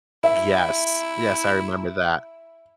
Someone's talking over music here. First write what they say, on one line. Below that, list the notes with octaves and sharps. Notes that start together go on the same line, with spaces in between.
Yes. Yes, I remember that.
E4 E5